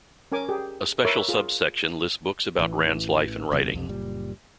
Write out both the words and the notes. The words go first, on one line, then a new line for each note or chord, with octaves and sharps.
A special subsection lists books about Rand's life and writing.
C#4 A#4 G#5 D6
G4 G#4
A#4 B4 C#5 E5 C#6 D6
F4 G#4
A1 E3
E1 D2 C3 F#3
B1 F2 C3
F#1 A#2 G3